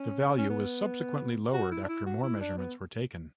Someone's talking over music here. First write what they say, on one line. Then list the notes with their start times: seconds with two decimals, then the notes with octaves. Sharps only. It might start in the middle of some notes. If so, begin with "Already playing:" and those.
The value was subsequently lowered after more measurements were taken.
Already playing: C#4
0.37 C#4
0.50 B3
1.53 F#4
1.71 E4
1.83 D4
1.88 E4
2.06 F#4
2.23 E4
2.41 D4
2.58 B3